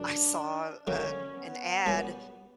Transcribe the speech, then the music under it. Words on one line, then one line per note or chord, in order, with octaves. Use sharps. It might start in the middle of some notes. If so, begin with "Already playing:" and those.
I saw, uh, an ad
Already playing: F#2 C#3 D4
D3 F#3 A#3 C#4
B3
A#2 G3 C#4 F#4